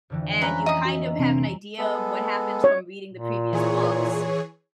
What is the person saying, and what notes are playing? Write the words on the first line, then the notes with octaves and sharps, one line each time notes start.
And you, kind of have an idea of what happens from reading the previous books
F2 D3 E3
C#4 B4 E5 A#5
D#5 E5 D#6
F#4
C3 C4 D4
G#3 B3 A4
C#5
A#2
E3 G#4 C#5